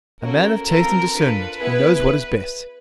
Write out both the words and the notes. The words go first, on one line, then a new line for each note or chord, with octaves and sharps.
A man of taste and discernment, he knows what is best.
A#3 C#4 F#4 A4 A#4
C4 F4 A4 A#4
D4 F4 A4 B4
B3 E4 G#4 B4